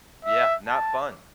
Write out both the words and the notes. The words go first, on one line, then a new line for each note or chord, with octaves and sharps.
Yeah, not fun.
E5
A5